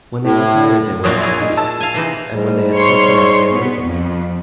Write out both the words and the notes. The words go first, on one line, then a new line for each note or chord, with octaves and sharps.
When they were tired they went to sleep, and when they had slept enough they awakened.
A2
A#1 A#2 F#3 A#3 C#5 D#6
E4 G#4
D#4
A5 E6
F5 G#5
C3 E3 D#4
G#2 G3
C#5 C6 C#6
B3
F2